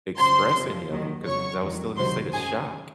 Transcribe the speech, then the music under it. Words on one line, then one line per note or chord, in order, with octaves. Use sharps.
express any of them 'cause I was still in a state of shock.
F#2 C#3 F3 C5 C6
F2 C3 F3
D#2 D#3 F#3
F2 C#3 F#3 C#5 C#6
F2 D#3 F#3
C#2 C3 D#3 F#3 C5 C6
F#2 D#3 F#3 G#4 G#5